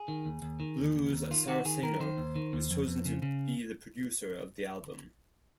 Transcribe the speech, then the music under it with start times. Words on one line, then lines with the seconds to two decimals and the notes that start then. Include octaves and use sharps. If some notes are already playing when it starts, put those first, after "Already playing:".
Blues Saraceno was chosen to be the producer of the album.
Already playing: G#4
0.08 D#3
0.26 D#2
0.42 D#2
0.60 D#3
0.78 D#2
0.96 D#2
1.13 D#2
1.31 D#3 F4
1.48 D#3 F#4
1.65 D#3 G#4
1.82 D#3 A#4
2.00 D#3 C5
2.17 D#2
2.35 D#3
2.53 D#2
2.71 F2
2.87 F2
3.05 C#3
3.22 C#3